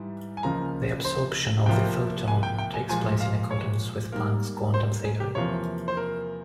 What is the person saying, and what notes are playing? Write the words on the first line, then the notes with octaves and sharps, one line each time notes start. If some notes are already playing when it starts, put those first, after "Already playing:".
The absorption of the photon takes place in accordance with Planck's quantum theory.
Already playing: G#2 E3 G3
G#5
C#2 C#3 F3 A#3 A#5
C5
C2 C3 F3 A#3 G5
G#5
G5
G5
G#5
A#2 F3 G#3 G#5
F5
C#5
G#2 G3 A#3 A#4
C5
G#4
G4
E2 C3 F3 A#3 C#5
C5
A#4